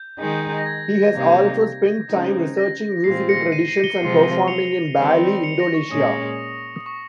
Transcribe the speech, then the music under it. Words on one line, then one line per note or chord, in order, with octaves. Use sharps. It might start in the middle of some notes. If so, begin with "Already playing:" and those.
He has also spent time researching musical traditions and performing in Bali, Indonesia.
Already playing: G6
D#3 G#3 D#4
A#6
G#6
C3 G3 A#3 D#4
C#3 G#3 C4 D#4
A#6
A#2 G#3 C4 F4 C7
A#6 C#7
C7 D#7
C7 D#7
D#7 G7
C3 F3 G#3 C4 F4
D#7 G7
C#7 F7
D#3 G3 C4
C#7 F7
A#6
C#6
A#2 G#3 C#4 D#6
D#6
C#6